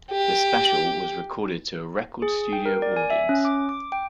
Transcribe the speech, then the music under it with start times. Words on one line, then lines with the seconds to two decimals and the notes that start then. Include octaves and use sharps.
The special was recorded to a record studio audience.
0.11 G4
2.22 G#4
2.53 G5
2.66 A#4
2.82 D5
2.96 G#5
3.10 E5
3.29 C#4
3.45 D6
3.69 D6
3.92 G5